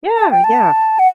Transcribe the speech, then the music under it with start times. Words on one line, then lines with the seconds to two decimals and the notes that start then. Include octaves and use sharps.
Yeah, yeah,
0.17 A5
0.31 G5
0.44 A5
0.99 F#5